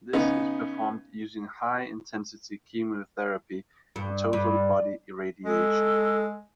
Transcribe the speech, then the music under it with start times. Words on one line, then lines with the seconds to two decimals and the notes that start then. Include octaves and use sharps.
This is performed using high-intensity chemotherapy and total body irradiation.
0.13 C#3 B3 D#4
3.96 G2
4.33 G2
5.45 G#3 A4